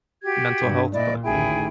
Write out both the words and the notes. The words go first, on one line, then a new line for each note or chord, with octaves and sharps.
mental health, but
F#4 G4 G#6
G2
A#2 E4 D5 D#5
A1 D2 D#3 E4 G#4 G5